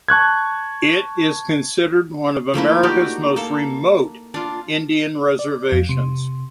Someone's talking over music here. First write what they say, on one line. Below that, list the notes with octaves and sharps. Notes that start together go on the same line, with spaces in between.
It is considered one of America's most remote Indian reservations.
A5 C#6 F#6 G#6
F3 A3 A#3 E4
D#4 F#4 G4 D5
A#3 A4
D4 F4
D5
F2
C3